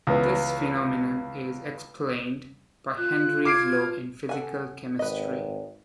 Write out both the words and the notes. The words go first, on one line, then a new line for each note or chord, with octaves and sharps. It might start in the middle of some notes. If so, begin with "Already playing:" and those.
This phenomenon is explained by Henry's Law in physical chemistry.
C#2 E3 B3
F4 F#6
D6 F6 G#6 C7 D7
A4 F#5 G#5
G#1 B4 D#5